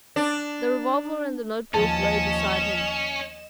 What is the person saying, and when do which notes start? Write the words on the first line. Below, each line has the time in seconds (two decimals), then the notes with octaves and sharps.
The revolver and the notebook lay beside him.
0.16 D4
1.74 D#2 F3 C#4 D#5 A5 E7